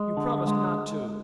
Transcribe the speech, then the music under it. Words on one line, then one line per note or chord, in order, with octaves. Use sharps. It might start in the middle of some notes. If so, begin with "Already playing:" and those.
"You promised not to!"
Already playing: G#3
D3
G#3